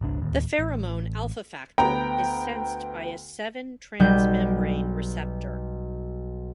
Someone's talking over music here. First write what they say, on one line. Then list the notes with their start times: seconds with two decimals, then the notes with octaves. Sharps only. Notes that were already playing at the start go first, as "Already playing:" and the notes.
The pheromone alpha-factor is sensed by a seven transmembrane receptor.
0.01 G#1 C#2 D4
0.20 D1 D#2
0.59 A1
1.78 D2 B3 G5 A#5
4.00 B1 G3 G6